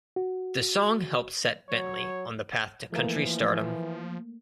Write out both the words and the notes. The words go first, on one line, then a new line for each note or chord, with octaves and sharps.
The song helped set Bentley on the path to country stardom.
F#4
F#3 C#5
E3 F3 A3 A#3